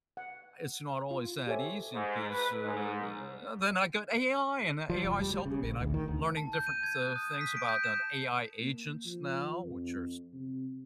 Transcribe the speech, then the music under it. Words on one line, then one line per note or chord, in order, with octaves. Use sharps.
it's not always that easy 'cause, uh, then I got AI and that AI's helping me, and I'm learning different, uh, things about AI agents now, which are,
F#5
F4
G4 A4 C5 C#5 E5 G#5
G#2
B4
G#2
F3
F1
G3
G3
C#3
A#1
D2
D#3
D2
A5
G6
D#7
G#6
F#6
D#6
B6
D7
G6
E7
A#3
F3
F2
C3